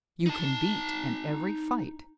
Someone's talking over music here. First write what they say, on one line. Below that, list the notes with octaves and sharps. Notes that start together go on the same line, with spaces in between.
You can beat in every fight.
D#4 A5